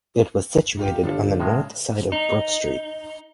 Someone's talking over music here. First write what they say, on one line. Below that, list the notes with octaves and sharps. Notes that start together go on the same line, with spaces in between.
It was situated on the north side of Brook Street.
D#4 F4 G4
G1 E3 D4 F4 A4
A2 C#3 G#3
D#4